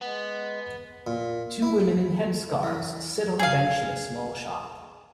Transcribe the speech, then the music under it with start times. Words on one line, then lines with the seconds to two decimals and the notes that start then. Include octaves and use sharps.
Two women in headscarves sit on a bench in a small shop.
0.01 G#3 B3
1.07 A#2
1.62 E4
2.63 E3
3.39 G#4 F5